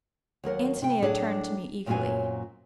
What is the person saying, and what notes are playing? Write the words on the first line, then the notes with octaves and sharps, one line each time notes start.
Antonia turned to me eagerly.
D#2 F#3 A#4 F#5
C3 G5
A2 F#3 D4 G#4 A4
F#2 A#2 F#3 C4 F#4 G#5